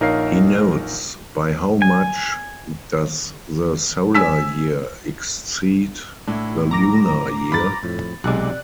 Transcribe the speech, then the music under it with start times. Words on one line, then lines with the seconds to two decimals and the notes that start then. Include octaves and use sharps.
He notes, By how much does the solar year exceed the lunar year?
0.01 A#1 D#4 A#4 C#5 F5 C7
1.82 G#5
4.15 G#5 E6 B6
6.28 A2 D4 E4
6.71 A#5 D6 A#6
7.52 G2 B5 A6
7.83 F2 A2
8.24 B1 C3 G#3 D5 F#6